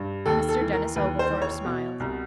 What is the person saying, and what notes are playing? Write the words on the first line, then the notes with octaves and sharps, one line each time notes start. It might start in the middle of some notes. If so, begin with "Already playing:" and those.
Mr. Denis Oglethorpe smiled.
Already playing: G2
D#2 A4
A4
E3
A#4
D#2 B4
C5
E3
C#5
B2
C2